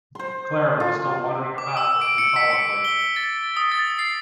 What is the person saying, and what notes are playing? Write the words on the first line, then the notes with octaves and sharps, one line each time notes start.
Clara was still wandering about disconsolately.
C5 C6
F4
D6
E6
D7
C#7
B6
C#7
G7
A6
D#6
A6
C7